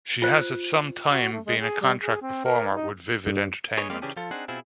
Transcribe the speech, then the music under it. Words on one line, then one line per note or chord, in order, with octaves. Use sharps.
She has at some time been a contract performer with Vivid Entertainment.
F4 C5
F#4
A3
G#3
G#4
G3
G#4
C4
A#4
D#4
G2
G#4 B4 C#5 D#5
G3 G#3 A#3 G4 F5
C#3 E3 C#4 D4 G4 G#4
F3 F4 A4
C4 D4 D#4 G#4 C5 F#5
B2 C4 E4 F4 G#4